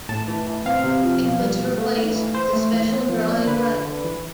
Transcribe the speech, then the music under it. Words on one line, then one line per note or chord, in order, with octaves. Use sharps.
It was replaced with the special drawing right.
A2 A5
E3
E3
C4 F5
C3
F3
B2
G3
B2
A3
E3
E3
E3 C5
A3
E3
B3
F3
D4
D3 B4
D3
D3
E3